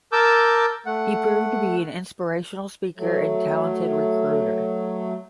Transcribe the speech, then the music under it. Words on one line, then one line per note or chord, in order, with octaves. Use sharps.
He proved to be an inspirational speaker and talented recruiter.
A#4 A5 D6 E6 G6
A3 F#5
F#3 A3